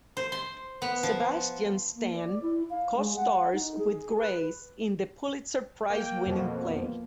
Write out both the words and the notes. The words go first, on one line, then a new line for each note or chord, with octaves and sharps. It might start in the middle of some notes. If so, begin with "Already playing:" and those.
Sebastian Stan co-stars with Grace in the Pulitzer Prize winning play.
C5
C6
B3
F3
A#3
D5
E4
F5
G#3
F#5
D#4
G#4
B4
A#3 G5
F2 B2